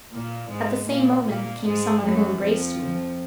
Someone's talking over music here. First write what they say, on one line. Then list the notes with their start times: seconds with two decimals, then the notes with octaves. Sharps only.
At the same moment came someone who embraced me.'
0.12 A#2 A#3
0.50 G#2 G#3
0.89 A#2 A#3
1.27 A#2 A#3
1.65 G#2 G#3
2.04 F#2 F#3
2.42 F2 F3